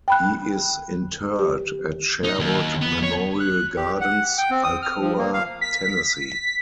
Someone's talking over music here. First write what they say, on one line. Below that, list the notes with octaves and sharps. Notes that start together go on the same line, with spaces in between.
He is interred at Sherwood Memorial Gardens, Alcoa, Tennessee.
G5 B5 F#6
G4
D#4
D#2
B3
C#5
F#6
G4
F#5
G5
C4
D#6
F6
F3
A#3
F5
B6